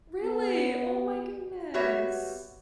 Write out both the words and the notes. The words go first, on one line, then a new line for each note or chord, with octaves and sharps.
Really? Oh my goodness!
B3
G3 B3 F#4 C#5 E5